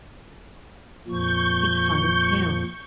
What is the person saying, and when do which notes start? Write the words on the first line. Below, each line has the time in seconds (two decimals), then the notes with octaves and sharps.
It's hot as hell.
1.08 F2 A#2 F3 C#6 G6